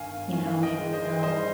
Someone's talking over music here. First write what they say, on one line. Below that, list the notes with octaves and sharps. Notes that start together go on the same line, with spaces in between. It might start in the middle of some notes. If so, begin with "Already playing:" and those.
you know, may they'll
Already playing: G1 D#3 F5 G#5
D#3 F5 G#5
D#5 G5
G#3
C5 D#5
G3 C5 D#5